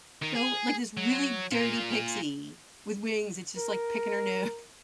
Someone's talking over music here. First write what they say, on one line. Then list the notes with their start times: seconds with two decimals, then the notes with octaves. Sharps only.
So, like, this really dirty pixie with wings, it's just like picking her no
0.22 D#3 D#4
0.35 G#4
0.97 F#3
1.52 A#2 F4
3.57 A#4